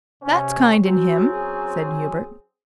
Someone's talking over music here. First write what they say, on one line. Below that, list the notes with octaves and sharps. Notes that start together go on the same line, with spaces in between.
"That's kind in him," said Hubert.
C3 C4 C#4
F#3 C4 C#4 F#4
G#4